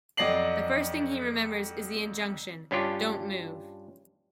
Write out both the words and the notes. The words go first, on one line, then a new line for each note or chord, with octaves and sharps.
The first thing he remembers is the injunction: "Don't move".
F2 F#3 D5 D#5 C7 F#7
G2 C#4 D4 F4 G4